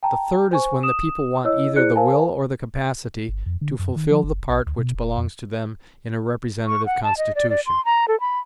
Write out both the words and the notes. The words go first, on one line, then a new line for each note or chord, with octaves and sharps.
The third is when the people want either the will or the capacity to fulfill the part which belongs to them in a representative constitution.
G5 A5 A#5
C5 G#5 C#6
D#6 E7
E4 C#5 D#5 E6
E4 G#4 C5 D5 F#6 C#7
A#4 C5 F5 G#5 A5
G1
F2
D3
F#2
D#3
F3
F#1
A#1
D2
B2
E1
F2
C#6
F#5
A5
D#5
D5
D5
C6
A#5
A4
B5